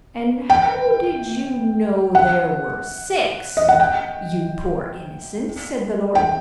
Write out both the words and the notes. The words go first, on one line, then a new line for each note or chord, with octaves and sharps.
"And how did you know there were six, you poor innocent?" said the lord.
G5
F#5
D#5
F#5
G5
G5